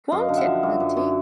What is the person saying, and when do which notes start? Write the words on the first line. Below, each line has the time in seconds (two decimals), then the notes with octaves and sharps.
Won't it, auntie?
0.12 F#2 D#5 F5
0.29 D3
0.37 E5 F#5
0.46 F3
0.63 F#2
0.80 F#2
0.97 F#2